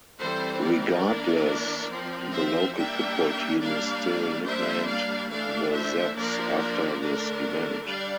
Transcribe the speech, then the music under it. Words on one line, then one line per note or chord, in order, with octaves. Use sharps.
Regardless, the local football team is still nicknamed 'The Zeps' after this event.
E3 G3 C4 A4 C5
A#4 D5
E3 A#3 D4
F3 C4
C5 E5
G3 A#3 D4 E5 G5
G3 A#3 D4 D5 F5
G3 A#3 D4 C5 E5
D5 F5
E3 A3 D4 D5 F5
C5 E5
F3 A#3 D4 A#4 D5
A#4 D5
D3 A3 D4 A#4 D5
G3 D4 D5 F5